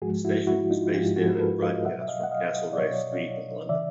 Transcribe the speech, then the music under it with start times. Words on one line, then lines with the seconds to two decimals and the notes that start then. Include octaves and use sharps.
The station was based in and broadcast from Castlereagh Street in London.
0.02 G#2 F3 G#3 F#4 G#4
0.25 E4 F#4
0.47 E4 F#4
0.70 D#4 F4
0.94 G#2 F3 G#3 F4 G4
1.16 F#4 G#4
1.35 A#4
1.39 A4 B4
1.62 D#5 F5
1.85 B2 F#3 E5 F#5
2.01 E5
2.08 D#5 F5
2.24 F#5
2.31 D#5 F5
2.73 D5
2.78 B2 F#3 C#5 D#5
3.69 C#3 E3 D5 E5